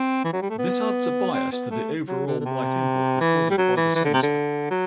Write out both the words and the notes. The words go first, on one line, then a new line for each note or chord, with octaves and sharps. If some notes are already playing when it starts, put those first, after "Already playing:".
This adds a bias to the overall light input recorded by the sensor.
Already playing: C4
E3
F#3
G3
A3
B3
C4
B3
A3
F#3
D3
D3
C3
E3
G3
F#3
E3
E3
D3
C3
D3
F#3